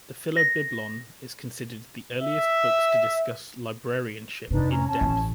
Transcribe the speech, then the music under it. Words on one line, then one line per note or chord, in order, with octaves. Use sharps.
The "Philobiblon" is considered the earliest books to discuss librarianship in-depth.
A#6
E5
F2 C3 D4 D#4 B4
C#4 A#5
C#4 A5
A1